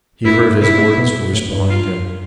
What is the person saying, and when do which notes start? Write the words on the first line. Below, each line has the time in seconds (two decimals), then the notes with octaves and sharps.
He heard his warder's voice behind him.
0.24 G2 E4
0.38 G2
0.43 A2
0.61 C3 E4
0.78 A3
0.98 B2
1.33 A2
1.51 G2
1.70 F4